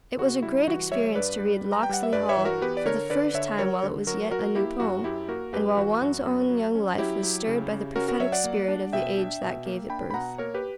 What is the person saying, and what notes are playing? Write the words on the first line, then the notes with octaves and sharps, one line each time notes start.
It was a great experience to read "Locksley Hall" for the first time while it was yet a new poem, and while one's own young life was stirred by the prophetic spirit of the age that gave it birth.
C#3 F#4
G3 E4
E3 F#4
G3 C#5 E5
G2 B4 D5
G3
G3
A#5
G5
G3 F#5
E5
G2 B4 D5
C#5 E5
E3
F#4 A#4
B3 G4 B4
D5
D3 A#4 C#5
D3 B4 D5
D3 C#5 E5
F#3 A#4 C#5
D3
F#3 F#4 A#4
F#3 F#4 A#4
A#3 E4 G4
F#2 F#4
F#2 E4 G4
A#3 F#4 A#4
F#2 G4 B4
E3 F#4
F#2 F#4
F#2
F#3
C#4
F#3 E4 G4
F#3
C#3
C#3
C#4 F#4 A#4
F#4 A#4
F#3 C#5 E5
D5 F#5
A#3
D4
B2 E5 G5
D4
B2
A#3
D4 G5 B5
B5
B2 F#5 A#5
A#3 A#4 C#5
G4 B4